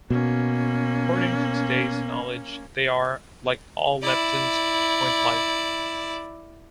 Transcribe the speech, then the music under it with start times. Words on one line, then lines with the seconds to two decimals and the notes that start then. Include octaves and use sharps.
According to today's knowledge they are, like all leptons, point-like.
0.10 B2 A#3 C#4
4.02 E4 D5